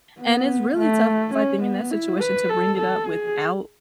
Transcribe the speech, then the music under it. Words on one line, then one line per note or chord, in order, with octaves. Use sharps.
and it's really tough, I think, in that situation to bring it up without,
B3
A3
C#4
B3
E4
B4
A4
A4
G#4